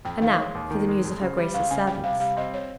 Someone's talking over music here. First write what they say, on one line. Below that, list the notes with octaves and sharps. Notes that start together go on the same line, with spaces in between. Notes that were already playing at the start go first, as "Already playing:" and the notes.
"And now for the news of her Grace's servants."
F2 G5
D#3 F5
G#3 C#5
D#2
D#3
G#3
F2
C#3
G3
C#2 F5
C#3 G#5
G3 G5
C3 F5
G3 F5
C4 D#5
C#5